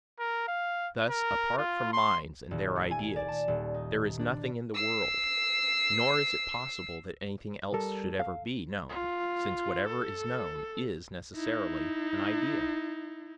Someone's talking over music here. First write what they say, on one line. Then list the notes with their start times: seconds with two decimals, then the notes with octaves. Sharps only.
Thus apart from minds and their ideas there is nothing in the world, nor is it possible that anything else should ever be known, since whatever is known is necessarily an idea.
0.19 A#4
0.48 F5
1.10 A#4
1.58 F4
1.93 C6
2.51 D#1
2.76 A3
2.91 G#5
3.16 D5
3.28 A5
3.48 D#1
3.74 D#4
4.19 D4
4.74 E6 C7
7.74 G3 A4 A#4
8.20 F5
8.89 F4
9.86 A4
11.36 D#4 E4